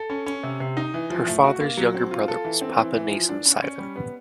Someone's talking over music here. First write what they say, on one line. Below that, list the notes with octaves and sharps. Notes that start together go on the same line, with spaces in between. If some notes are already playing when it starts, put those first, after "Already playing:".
Her father's younger brother was Papanasam Sivan.
Already playing: A4
C#4
C#4
C3
C3
D#4
E3
F3
A3
F#4
A#3
F#3
C4
F4
A4
E3
C4
E3
E3
F3
D4
C#4
C#4
G3
B3